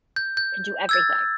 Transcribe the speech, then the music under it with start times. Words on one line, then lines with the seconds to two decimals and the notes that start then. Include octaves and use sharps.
Can do everything.
0.16 G6
0.37 G6
0.89 E6 G#6 A6